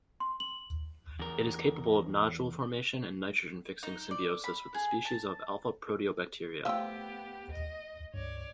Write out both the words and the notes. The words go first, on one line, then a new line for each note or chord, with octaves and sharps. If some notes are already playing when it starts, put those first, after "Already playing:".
It is capable of nodule formation and nitrogen fixing symbiosis with species of alphaproteobacteria.
C6
F#7
E2 A#4
D#4
D5
B5
G#4
A5
F3 A3 B3 G4 F5 G5 E6
D#5
C#2 G2 C#5 D5